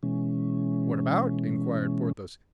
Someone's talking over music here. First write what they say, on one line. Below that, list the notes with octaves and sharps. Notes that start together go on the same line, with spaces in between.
"What about?" inquired Porthos.
B2 E3 G#3 C#4